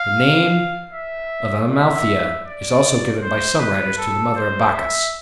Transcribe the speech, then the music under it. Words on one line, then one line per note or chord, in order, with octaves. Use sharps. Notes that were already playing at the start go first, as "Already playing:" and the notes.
The name of Amalthea is also given by some writers to the mother of Bacchus.
Already playing: F5
E5
E5
D5
C5
B4
A4
C5
E5